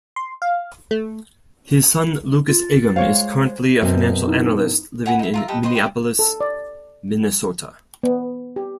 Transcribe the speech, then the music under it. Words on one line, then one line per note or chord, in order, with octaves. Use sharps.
His son, Lucas Eggum, is currently a Financial Analyst living in Minneapolis, Minnesota.
C6
F5
A3
F4 A6
G#3 C5 C#5 F5
F#2 B2 C4
D#4 E4
C#5 F#5 G#5 B5
D#4 E4
F4 A#4 E5
G4 A4 B4 D#5
B4 C5 D#5 C6
G4 D5 G5
A4
D5
B3
G4